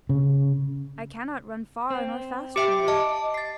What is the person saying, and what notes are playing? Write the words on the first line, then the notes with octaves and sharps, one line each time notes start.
I cannot run far or fast from thee.
C#3
C4
G4 E5 G5 D6
D#5 A5
A6 C7